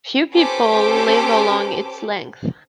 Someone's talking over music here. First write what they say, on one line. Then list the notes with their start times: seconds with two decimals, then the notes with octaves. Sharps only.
Few people live along its length.
0.33 C#4 G4 A4 B4 C5 D6